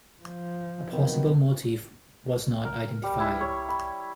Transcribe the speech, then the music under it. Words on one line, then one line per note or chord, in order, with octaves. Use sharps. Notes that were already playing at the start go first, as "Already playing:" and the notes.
A possible motive was not identified.
F3
C3 D#3 F#3 B3
A#4
G3
E4
C#5
B5